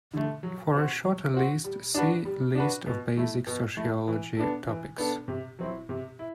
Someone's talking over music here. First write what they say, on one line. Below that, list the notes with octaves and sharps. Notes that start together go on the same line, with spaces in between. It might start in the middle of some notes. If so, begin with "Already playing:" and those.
For a shorter list, see List of basic sociology topics.
D3 A3
F#3
C4 F#4
F#3
C4 F#4
G3
D4 F#4 B4
G3
D4 F#4 B4
B2
A3 E4
B2
A3 E4
E3
B3 D4 A4
E3
B3 D4 A4
C3
F#3 C4 E4
C3
E4